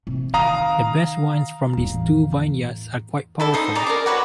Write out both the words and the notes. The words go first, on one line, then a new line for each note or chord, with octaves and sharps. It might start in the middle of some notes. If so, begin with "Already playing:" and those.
The best wines from these two vineyards are quite powerful.
C3
D#3 F5 A#5 D#6
E2 A2
E4 A4 D5
D#4 C5 D#6
G#4 D5 A#5 D6
A#4 D5 D6
F#4 B4 C#5 F#5